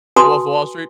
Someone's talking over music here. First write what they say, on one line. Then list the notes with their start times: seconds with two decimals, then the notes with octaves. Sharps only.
A Wolf of Wall Street?
0.16 F#4 B4 G#5 A5 C6 D#6